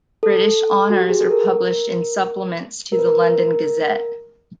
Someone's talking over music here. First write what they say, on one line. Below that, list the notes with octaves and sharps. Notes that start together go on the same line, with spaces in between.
British honours are published in supplements to the "London Gazette".
A4
F#4
G4
G#4
A4
A#4
A#4
B4
A#4